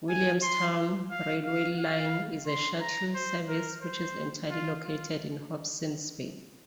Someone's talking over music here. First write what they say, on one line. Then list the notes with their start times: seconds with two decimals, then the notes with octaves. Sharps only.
Williamstown railway line is a shuttle service which is entirely located in Hobsons Bay.
0.09 G#5
0.42 C6
1.11 F5
1.44 F5
1.79 F5
2.47 C6
2.81 A#5
3.15 C5
3.48 A#4
3.82 C5
4.50 F4
4.84 F4